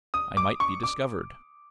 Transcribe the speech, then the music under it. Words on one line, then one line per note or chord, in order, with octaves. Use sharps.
I might be discovered.
D#6
D6
C#6
D6